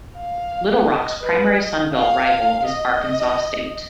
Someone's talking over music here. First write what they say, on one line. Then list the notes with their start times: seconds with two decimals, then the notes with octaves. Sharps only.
Little Rock's primary Sun Belt rival is Arkansas State.
0.16 F5
0.87 D#5
1.23 B4
1.58 D#5
1.94 F5
2.65 D#5